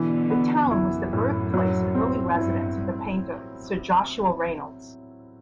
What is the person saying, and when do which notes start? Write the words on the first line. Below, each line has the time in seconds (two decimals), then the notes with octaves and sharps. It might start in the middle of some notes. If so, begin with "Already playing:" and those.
The town was the birthplace and early residence of the painter Sir Joshua Reynolds.
Already playing: B2 D3 E3
0.30 B3
0.71 F#2 E4
1.13 A2
1.54 F#3
1.95 C4
2.36 G2 E4